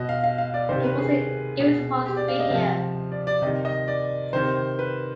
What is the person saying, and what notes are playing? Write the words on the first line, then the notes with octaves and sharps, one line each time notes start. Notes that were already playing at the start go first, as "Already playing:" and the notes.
He wasn't even supposed to be here.
Already playing: B2 D#5
F5
F5
F5
D5
C3 D#3 C5
B4
G#4
B2 G#4
G4
D5
F5
D#5
C3 F3 F5
D5
D5
C3 D#3 D#5
D#5
D5
C3 D#3 C5
B4